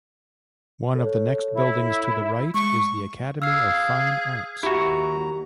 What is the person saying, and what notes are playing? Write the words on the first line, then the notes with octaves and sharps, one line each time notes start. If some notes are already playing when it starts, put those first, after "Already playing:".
One of the next buildings to the right is the Academy of Fine Arts.
A4 C#5
E4
G#3 C#6
G#4 F5 E6 F6 C7
D#2 E4 F#4 G4 A#5